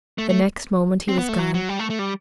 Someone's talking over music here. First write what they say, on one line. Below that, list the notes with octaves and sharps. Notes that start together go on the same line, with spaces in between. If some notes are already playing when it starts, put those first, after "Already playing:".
The next moment he was gone.
A3
A3
C4
B3
A3
F#3
F#3
G3
A3
A3
G3